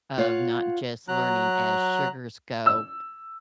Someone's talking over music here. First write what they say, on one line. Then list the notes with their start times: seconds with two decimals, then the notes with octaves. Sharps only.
of not just learning as sugars go,
0.18 F4 C#5 F5 F#5
1.08 F#3 A#5 F#6
2.66 E6